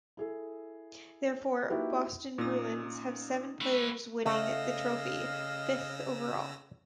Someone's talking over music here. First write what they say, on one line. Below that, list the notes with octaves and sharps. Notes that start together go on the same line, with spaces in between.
Therefore, Boston Bruins have seven players winning the trophy, fifth overall.
E4 G#4 A4
A#3 D#4 E4 F#4 G4 B4
A#2 C#4 D#4 D#6
A3 B4
C#3 A3 D#5 F5 E6 A#6